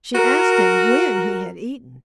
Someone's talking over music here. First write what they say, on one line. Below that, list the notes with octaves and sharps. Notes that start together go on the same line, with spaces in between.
She asked him when he had eaten.
F#4 A#4